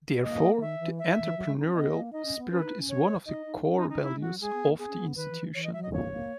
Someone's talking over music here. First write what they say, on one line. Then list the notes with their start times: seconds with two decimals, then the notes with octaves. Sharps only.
Therefore, the entrepreneurial spirit is one of the core values of the institution.
0.23 A#3 D#5
0.60 D#3 E5
0.79 E3
0.99 E5
1.18 E3
1.37 F#3
1.47 G#3
1.57 D#4
1.65 C#4
1.74 B3 D#5
1.93 A#3
2.12 D#4 D#5
2.25 C#4
2.38 B3
2.51 C#4 B4
2.64 D#4
2.76 C#4
2.89 C#5
3.26 D#4 D#5
3.46 D#4
3.64 C#4
3.77 D#4
3.90 D#4
4.02 D#4 E4
4.15 G#3
4.22 F#4
4.28 F#3
4.40 G#3 G#4
4.53 B3
4.66 A#3
4.79 B3 G#4
4.88 C#4
4.97 B3
5.16 D#3 B4
5.30 E3
5.42 E3
5.54 E3 C#5
5.64 D#5
5.73 F#3 E5
5.83 D#5
5.92 A#3 C#5
6.12 A#3